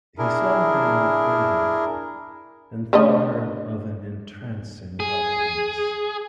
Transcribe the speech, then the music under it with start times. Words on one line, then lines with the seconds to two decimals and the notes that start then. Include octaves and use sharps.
He saw her now clearly, and thought her of an entrancing loveliness.
0.18 D4 E4 G#4 A#4
2.93 D3 A3 D#5
5.00 G#4